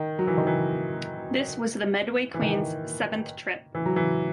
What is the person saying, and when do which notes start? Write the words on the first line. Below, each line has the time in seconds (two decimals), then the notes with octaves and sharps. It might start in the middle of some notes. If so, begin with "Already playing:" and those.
This was the "Medway Queen"'s seventh trip.
Already playing: D#3
0.19 F#3
0.27 E3
0.37 D#3
0.47 E3
2.34 E3
2.42 D#3
3.75 E3
3.86 F#3
3.96 E3